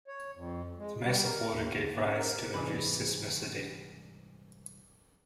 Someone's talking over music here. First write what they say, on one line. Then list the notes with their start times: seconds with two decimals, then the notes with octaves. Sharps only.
The mass of water gave rise to induced seismicity.
0.08 C#5
0.36 F2
0.78 G#3
1.02 G3
1.24 A#4
1.48 D#2
1.76 D3
1.92 A#3
2.03 C#4
2.17 A#4
2.54 C2 G#2 E3 B4 B5